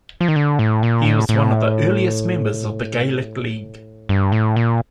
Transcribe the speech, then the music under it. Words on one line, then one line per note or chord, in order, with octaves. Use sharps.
He was one of the earliest members of the Gaelic League.
F3
D#3
D3
A2
A#2
A2
A2
G2
A2
A#2